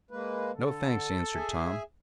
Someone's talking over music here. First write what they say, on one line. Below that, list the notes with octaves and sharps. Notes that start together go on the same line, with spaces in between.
"No, thanks," answered Tom.
G#3 A#3 B4
D3 A4
G#4 E5 G#5